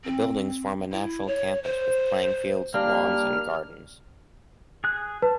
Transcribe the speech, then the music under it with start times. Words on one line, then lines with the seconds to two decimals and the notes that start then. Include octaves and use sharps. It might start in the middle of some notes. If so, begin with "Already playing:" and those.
The buildings form a natural campus, with playing fields, lawns and gardens.
0.04 C4
0.93 E4
1.26 C#5
1.64 C5
2.74 G3 A#3 D4 F6
4.84 G#4 F#6
5.22 B4 A5